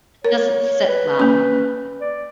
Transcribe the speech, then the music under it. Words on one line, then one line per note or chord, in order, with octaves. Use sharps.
doesn't sit well,
A#4 C#5
B4
A#3 C#4
D5